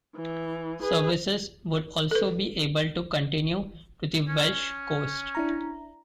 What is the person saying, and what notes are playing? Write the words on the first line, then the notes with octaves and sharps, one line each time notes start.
Services would also be able to continue to the Welsh coast.
E3
G#4 B4
A4 B4
C#4
D4 E4 A#5